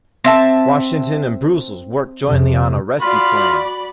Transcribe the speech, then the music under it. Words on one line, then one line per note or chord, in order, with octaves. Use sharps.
Washington and Brussels worked jointly on a rescue plan.
C4 E5 A5
F2 C3
F4 F#4 D5 B5